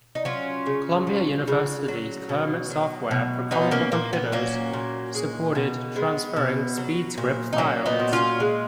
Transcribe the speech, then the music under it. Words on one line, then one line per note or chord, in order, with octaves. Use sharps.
Columbia University's Kermit software for Commodore computers supported transferring SpeedScript files.
D#4
F#3 C#4 F4
C#3
F#3
C#3
F#3
B2
F#3
B2
F#3 B3 D#4
A#3 C#4
A#2 A#3
B3
F#3 A#3 C#4
A#2
G#3
B2
G#3 B3
B2
F#3
A#2
D#4
F#3 A#3 C#4
B3 D#4
A#2
C#4 F4
G#3